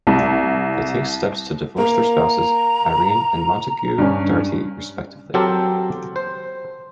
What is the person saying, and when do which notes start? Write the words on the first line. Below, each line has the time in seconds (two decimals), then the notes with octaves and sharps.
They take steps to divorce their spouses, Irene and Montague Dartie respectively.
0.07 C2
1.78 A#3 A#5
3.98 G2 C#4
5.34 F#3 C4 G4 A4 A#4 C5
6.16 C5